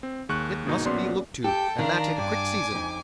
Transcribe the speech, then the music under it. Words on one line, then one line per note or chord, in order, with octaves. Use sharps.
It must be looked to, and that in quick season.
C4
D#2 G#4 C#6 F#6
G1 B2 A#3 D#4
A#1 B3 C#4 F#4 D5 C6
G4 A4 G5
D#3 D4 F5 A#5
G2 G#5 D6
F2 D#4